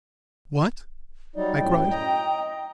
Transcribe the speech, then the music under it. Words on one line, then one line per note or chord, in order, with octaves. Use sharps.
"What!" I cried.
F#3 G3 D#4 D5
F#2 A2 G5
D#5 A#5